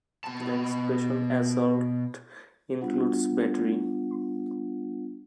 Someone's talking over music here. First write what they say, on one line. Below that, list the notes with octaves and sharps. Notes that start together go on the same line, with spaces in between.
The expression assault includes "battery".
B2 A5
G3 B3 D4 F4 F#5